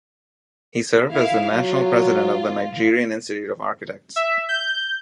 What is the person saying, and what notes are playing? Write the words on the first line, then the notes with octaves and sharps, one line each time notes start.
He served as the National President of the Nigerian Institute of Architects.
E4 F5
F#3 F4
E5
G6